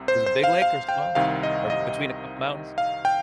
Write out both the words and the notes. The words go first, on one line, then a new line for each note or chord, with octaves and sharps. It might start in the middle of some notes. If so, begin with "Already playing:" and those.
Is it big lake or small, or b between a couple of mountains?
Already playing: C2 C3
C5
C5
F5
F5
G5
C2 C3 D#3 F5
D#5
D#5
F5
G5